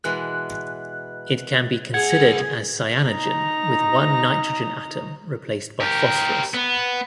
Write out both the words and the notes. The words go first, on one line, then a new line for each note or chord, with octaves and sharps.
It can be considered as cyanogen with one nitrogen atom replaced by phosphorus.
B2 E3 G#3 F#6
C2 G#4 F#5 G#6
D#4 A#5
G4 A#4
B3